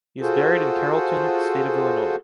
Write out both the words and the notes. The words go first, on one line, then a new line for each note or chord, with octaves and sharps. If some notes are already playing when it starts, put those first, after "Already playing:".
He is buried in Carrollton, State of Illinois.
F4 F#4 G#4 A4 C5